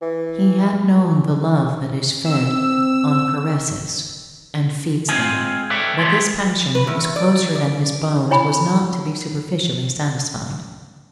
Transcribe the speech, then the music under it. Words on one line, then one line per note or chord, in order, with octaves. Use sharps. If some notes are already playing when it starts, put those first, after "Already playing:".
He had known the love that is fed on caresses and feeds them; but this passion that was closer than his bones was not to be superficially satisfied.
E3
C4 E6
G#3 C4 F4 G#4 C5 G#5
A4 B4 C#5 D5 E5 G5
D#2 G#3 A3 B3 C#4 C6
B4
E2
D5
D5
E4 C#5 G#5 B5